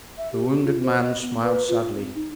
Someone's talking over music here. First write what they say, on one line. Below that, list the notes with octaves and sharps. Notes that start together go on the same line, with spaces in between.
The wounded man smiled sadly.
E5
G4
F4
C5
D#5
B3
B4
F4
C4
D#4